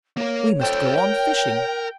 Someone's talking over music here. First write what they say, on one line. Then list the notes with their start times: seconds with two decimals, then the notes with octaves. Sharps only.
We must go on fishing.
0.17 A#3 A#4 C#5
0.62 A4 C5 G5
0.98 A#4